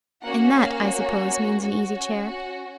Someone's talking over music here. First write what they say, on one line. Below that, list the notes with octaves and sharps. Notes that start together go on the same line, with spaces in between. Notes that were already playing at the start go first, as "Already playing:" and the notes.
"And that, I suppose, means an easy-chair?"
A#3 C#4 F#4 F#5
F5
C#5
C#4 F#4
C#5
F#5